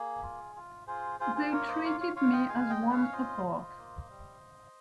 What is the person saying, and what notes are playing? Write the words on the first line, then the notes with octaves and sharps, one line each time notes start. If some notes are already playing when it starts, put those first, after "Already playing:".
They treated me as one apart.
Already playing: A#3 G#4
F4
F4
F4 G#4 C5
F4 G#4 C5
G#4 C5
A#3 A#4 C#5
C5 D#5
F4 C#5 F5
C#5 F5
F4 C#5 F5
D#5 G5
G#3 F5 G#5
D#5 G5
C#4
C#5 F5
F4 C5 D#5
F4
A#3
G3